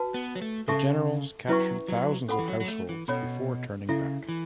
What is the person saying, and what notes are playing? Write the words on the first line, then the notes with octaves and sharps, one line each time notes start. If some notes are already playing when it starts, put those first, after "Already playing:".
The generals captured thousands of households before turning back.
Already playing: F#4 B4 A5
B3
F#3
A3
C#3 A4 E5 A5 C#6
F#3 C#4 E4 B4 E5 C#6
F#3
C#4 A4 F#5 B5
E3
F#3
F#3
A3
E3
B2 C#4 A4 C#5 F#5 B5
C#3 E4 A4 E5
E3